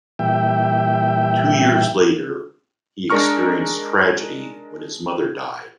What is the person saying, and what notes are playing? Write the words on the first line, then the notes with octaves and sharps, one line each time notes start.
Two years later, he experienced tragedy when his mother died.
A#2 E3 G3 E5 G5
G#3 D4 A#4 A#5 C#6 F6